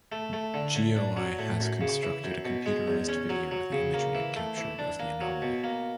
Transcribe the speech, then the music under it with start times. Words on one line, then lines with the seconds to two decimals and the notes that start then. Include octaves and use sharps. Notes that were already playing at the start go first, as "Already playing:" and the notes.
GeoEye has constructed a computerized video of the imagery it captured of the anomaly.
0.12 A3
0.33 A3
0.54 D3
0.75 A2
0.97 D4
1.17 F#3
1.39 A2
1.60 F#2
1.81 C#3
2.03 E3
2.24 F#2
2.45 B2
2.66 G#3
2.88 E2
3.09 C#4
3.29 F#3
3.51 F#3
3.72 C#3
3.94 A#3
4.15 E3
4.36 A3
4.57 E3
4.79 D4
4.99 A#3
5.21 F#3
5.42 B2
5.64 A#3